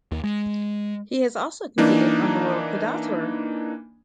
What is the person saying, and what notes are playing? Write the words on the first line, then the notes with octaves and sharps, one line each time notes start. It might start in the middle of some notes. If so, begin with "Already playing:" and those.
He has also competed on the World Padel Tour.
D#2
G#3
E3 A#3 D4 D#4